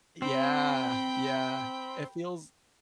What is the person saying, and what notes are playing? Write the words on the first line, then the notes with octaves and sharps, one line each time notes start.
Yeah, yeah, it feels
C4 G5 B5